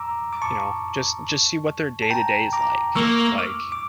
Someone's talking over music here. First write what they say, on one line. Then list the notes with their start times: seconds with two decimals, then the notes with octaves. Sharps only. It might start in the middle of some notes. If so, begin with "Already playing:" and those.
you know, just just see what their day to day is, like like,
Already playing: A#5 D6 E6
0.33 D6
0.42 A5 C#6
2.02 A5
2.10 G5 A#5
2.53 A#5 D6
2.95 A#3 C#6 E6
3.38 D6 F6
3.72 D6